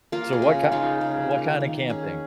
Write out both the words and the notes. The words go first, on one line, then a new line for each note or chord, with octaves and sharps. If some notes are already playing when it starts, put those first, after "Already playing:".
So what kind what kinda camping?
A#3 F4 A#4
G#4
C#3
D#4 F4
C#3
A#3
D#3
C#4 G#4